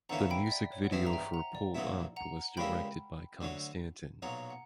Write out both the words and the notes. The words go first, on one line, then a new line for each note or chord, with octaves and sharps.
The music video for "Pull Up" was directed by Konstantin.
E2 D3 A#3 C#4 E4 F#5 A#5
G5 B5
E5
D5
C#5
F#5
G2 E3 B3 D4 E5
A#5
E5 G5
F#5 A#5
D5
A#1 A#2 F#3 B3 E4
F#5 A#5
C#2 C#3 G3 A#3 E4 G5 B5
D2 D3 F#3
B1 A#2 F#3 F#5 A#5
F#5